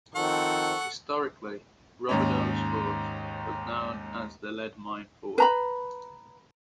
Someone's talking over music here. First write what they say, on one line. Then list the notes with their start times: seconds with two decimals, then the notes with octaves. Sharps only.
Historically, Roberdeau's fort was known as the "Lead Mine Fort".
0.16 D#3 F3 C4 A4 F#5 C#6
2.09 D#2 G#2 C#4
5.38 B4 A#5 B5